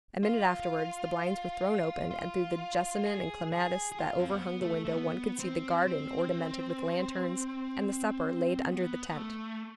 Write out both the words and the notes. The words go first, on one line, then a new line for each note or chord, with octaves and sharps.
A minute afterwards the blinds were thrown open, and through the jessamine and clematis that overhung the window one could see the garden ornamented with lanterns, and the supper laid under the tent.
F4
F4
G#4
G#4
G#4
F4
C4
B3
A3
A3
B3
C4
C4
B3
A3